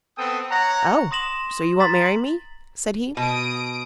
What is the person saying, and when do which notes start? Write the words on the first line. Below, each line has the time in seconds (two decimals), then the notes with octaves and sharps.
'Oh! so you won't marry me?' said he.
0.18 B3 C4 A4 G5 D#6
0.50 C#5 F#5 A#5
1.11 C6 D#6 A#6 E7 F#7
1.79 A#5 C6 A6 B6 F#7
3.17 B2 D#6 D7